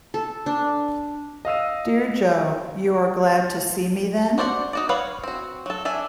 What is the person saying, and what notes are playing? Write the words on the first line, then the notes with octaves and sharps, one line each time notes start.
Dear Jo, you are glad to see me, then?
A4
D4
D#5 F5 E6 D#7
F#4 C5 D5 E5 F#5
D#4 F#4 D5
B4 C#5 F5 F#5
C4 F#4
F#3 A4
D4 E5 G#5